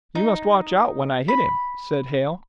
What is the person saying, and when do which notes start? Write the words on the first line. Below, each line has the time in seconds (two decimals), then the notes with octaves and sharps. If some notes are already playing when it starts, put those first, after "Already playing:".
"You must watch out, when I hit him," said Hale.
0.15 D#4
1.28 B5